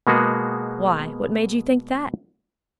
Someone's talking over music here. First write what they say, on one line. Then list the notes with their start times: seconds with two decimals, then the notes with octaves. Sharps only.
Why, what made you think that.
0.07 B2 G#3 A#3 B3 F#4 G#4